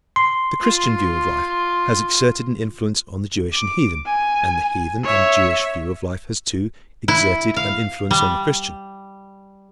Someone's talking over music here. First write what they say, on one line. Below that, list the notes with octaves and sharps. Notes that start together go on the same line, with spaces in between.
The Christian view of life has exerted an influence on the Jewish and heathen, and the heathen and Jewish view of life has, too, exerted an influence on the Christian.
C6
F4
D6
G#5
C#5 E5
E4
F5
G3